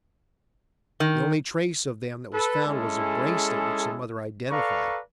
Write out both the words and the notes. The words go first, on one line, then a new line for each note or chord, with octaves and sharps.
The only trace of them that was found was a bracelet which the mother identified.
D#3
A4 B4
G#3 C#4 E4 G#4 A4
A4 B4 D5 F5 A#5 C#6